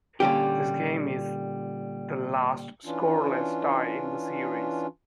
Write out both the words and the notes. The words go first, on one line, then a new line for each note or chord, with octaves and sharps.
This game is the last scoreless tie in the series.
A#2 D3 G3 C#4 G4
E3 C#4 D4 F4